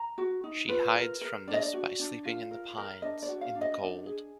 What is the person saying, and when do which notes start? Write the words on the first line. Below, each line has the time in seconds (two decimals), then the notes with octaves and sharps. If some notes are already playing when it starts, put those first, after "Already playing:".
She hides from this by sleeping in the pines, in the cold.
Already playing: A#5
0.18 F#4
0.44 D#4
0.69 F4 B4
0.96 A#4
1.21 A#4
1.47 D4 D5
1.54 D#5
1.62 D5
1.74 F#4
1.99 D4
2.25 F4
2.51 A#4
2.77 A#4
3.02 D4 D#5
3.22 D5
3.28 F#4
3.41 F5
3.55 D4
3.61 D#5
3.80 D4
4.06 G#4